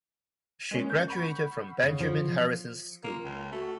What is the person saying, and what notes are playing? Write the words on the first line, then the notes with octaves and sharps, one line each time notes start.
She graduated from Benjamin Harrison School.
G#3 A#3 C#4
G6
F#5 B5 C#6
C#3
F3
A#3 F4
C#2
A3 F#4